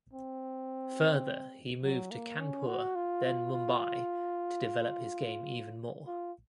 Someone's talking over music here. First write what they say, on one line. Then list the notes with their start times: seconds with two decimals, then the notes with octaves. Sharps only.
Further he moved to Kanpur then Mumbai to develop his game even more.
0.13 C4
1.83 F#3
2.11 A#3
2.39 C#4
2.67 F#4
2.95 F4
3.24 F4
3.52 F4
6.07 F4